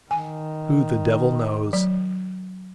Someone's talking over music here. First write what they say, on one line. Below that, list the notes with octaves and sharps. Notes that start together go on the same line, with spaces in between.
Who the devil knows?
D#3 G#5
F#3